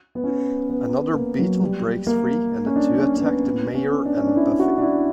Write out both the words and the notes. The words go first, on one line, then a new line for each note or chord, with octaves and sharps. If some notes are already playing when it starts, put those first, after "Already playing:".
Another beetle breaks free and the two attack the Mayor and Buffy.
B3
C#4
B3
A#3
F#3
G3
A#3
C#4
D4
C#4
C#4
B3
B3
B3
C#4
D4
C#4
D4
E4
F#4
D4
E4